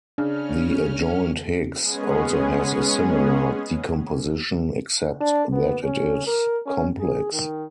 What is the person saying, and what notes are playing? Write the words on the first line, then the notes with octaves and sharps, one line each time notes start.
The adjoint Higgs also has a similar decomposition, except that it is complex.
C#3 C#4 D4 F6
G#3 B3 C#4 G#4
D4
B3
C#4
A#4
C#4
G#4
D#3